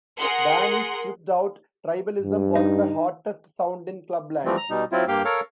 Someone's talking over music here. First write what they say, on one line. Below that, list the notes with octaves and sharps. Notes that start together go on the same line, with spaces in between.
Danny's tripped out tribalism was the hottest sound in clubland.
G#4 A#4 F#5 C6
G2
D#4
E3 F3 G3 A3 C4
A#5
B2 G3 D#4
F#3 C4 E4 F4
G2 A#3 G4 F5 G5
A4 A#4 C#5 F5